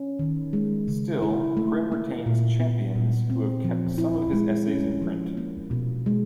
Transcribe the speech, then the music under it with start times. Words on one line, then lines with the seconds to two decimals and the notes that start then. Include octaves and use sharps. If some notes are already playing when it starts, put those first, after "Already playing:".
Still, Krim retains champions who have kept some of his essays in print.
Already playing: C#4
0.19 D#3
0.53 G#3
0.88 C#3
1.22 E4
1.57 A3
1.92 A#3
2.26 A#2
2.60 B3
2.96 A#2
3.30 C4
3.65 F3
3.98 E4
4.33 G#3
4.67 C#4
5.02 F3
5.37 A#3
5.71 B2
6.06 G#3